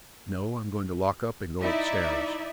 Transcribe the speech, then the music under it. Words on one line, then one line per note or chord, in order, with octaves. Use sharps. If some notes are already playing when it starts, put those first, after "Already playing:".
"No; I'm going to lock up and go upstairs."
D#4 E4 D5 E5